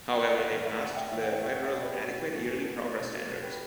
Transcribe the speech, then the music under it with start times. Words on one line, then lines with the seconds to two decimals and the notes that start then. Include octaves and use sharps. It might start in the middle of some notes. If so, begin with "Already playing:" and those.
However, they passed the Federal "Adequate Yearly Progress" standards.
0.12 G5
0.25 F#5
0.37 E5
0.50 A2 E3 B4 D5
0.65 C#5 E5
0.81 D5 F#5
0.96 E5 G5
1.12 A2 C#5 E5
1.16 E3
1.22 D5 F#5
1.32 E5 G5
1.43 C#5 E5
1.49 F#5
1.53 C#5 E5
1.63 E5 G5
1.73 B2 D5 F#5
1.83 B4 D5
1.94 G4
2.04 F#4
2.19 G4
2.35 A2 E3 F#4 A4
2.51 F#4 A4
2.97 B2
3.28 F#4 A4
3.43 G4 B4